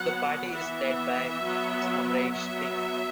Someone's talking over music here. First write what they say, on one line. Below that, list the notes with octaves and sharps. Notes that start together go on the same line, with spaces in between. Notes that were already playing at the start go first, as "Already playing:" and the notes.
The party is led by Samresh Singh.
Already playing: F#3 B3 F#5
E3 B3 E5
F#3 B3
F#3 B3 E5